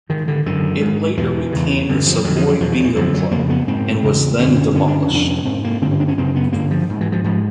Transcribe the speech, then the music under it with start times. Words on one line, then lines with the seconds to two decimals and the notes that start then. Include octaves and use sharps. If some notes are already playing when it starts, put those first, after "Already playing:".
It later became the Savoy Bingo Club and was then demolished.
0.09 G#2 D#3
0.28 D3
0.46 F#2 D3 D#3
0.81 G#2
1.17 E2 B2 E3
1.52 E2 C#3
1.89 G2 D3
2.06 F3
2.24 F2 D3 F#3
2.36 E3
2.48 F#3
2.60 E2 B2 F3
2.72 D#3
2.80 F3
2.84 E3
2.96 F#2 D3 F3
3.14 F#3
3.31 F2 C#3 A#3
3.50 B3
3.68 G#2 C4
4.03 E2 C#3
4.39 F#2 D3 B3
4.52 C4
4.57 C#4
4.75 G2 D3 C#4
4.87 D4
5.01 C#4
5.10 F2 C3 D4
5.27 C#4
5.45 G#2 C4
5.64 A#3
5.81 G2 D3 C4
5.91 C#4
6.00 D4
6.08 C#4
6.18 F#2 C#3 C4
6.36 B3
6.53 G2 D3 A#3
6.71 F3
6.89 G#2
7.01 E3
7.12 F3
7.24 G#2 F3